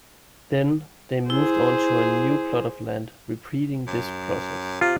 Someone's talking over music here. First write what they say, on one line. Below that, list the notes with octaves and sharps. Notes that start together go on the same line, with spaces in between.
Then, they moved on to a new plot of land, repeating this process.
E4 G#4 C5
F#2
C3 F4